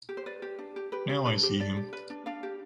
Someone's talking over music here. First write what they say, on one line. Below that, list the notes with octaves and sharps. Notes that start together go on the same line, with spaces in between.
Now I see him.
G4
C5
B4 D5
G4
D4
G4
G4 B4
G4 C5
D4 B4
G4 C5
D4 D5
G4
B4
D4
D4 F5
G4